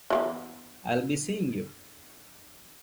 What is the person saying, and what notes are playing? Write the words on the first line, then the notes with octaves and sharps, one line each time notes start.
I'll be seeing you.
E3 G#3 B3